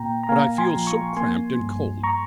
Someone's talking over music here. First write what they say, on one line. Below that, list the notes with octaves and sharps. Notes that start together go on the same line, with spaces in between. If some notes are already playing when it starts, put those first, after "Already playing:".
"But I feel so cramped and cold."
Already playing: A#2 A#3 G5 A#5
A#5
A#3 F5 G#5
G#5 C6
F3
A#5 C#6
A#3 G#5 C6
G2
A#5 C#6